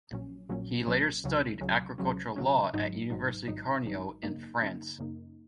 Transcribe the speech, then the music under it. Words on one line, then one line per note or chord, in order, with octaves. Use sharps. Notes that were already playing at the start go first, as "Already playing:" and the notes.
He later studied Agricultural Law at University Carnio in France.
A#1 A#2 F#3 C#4
A#1 A#2 F#3 C#4
A#1 A#2 F#3 C#4
C#2 C#3 F#3 C#4
C#2 C#3 F#3 C#4
C#2 C#3 F#3 C#4
C#2 C#3 F#3 C#4
G#1 G#2 F#3 D#4
G#1 G#2 F#3 D#4
G#1 G#2 F#3 D#4
G#1 G#2 F#3 D#4
F#2 C#3 A#3 D#4
F#2 C#3 A#3 D#4
F#2 C#3 A#3 D#4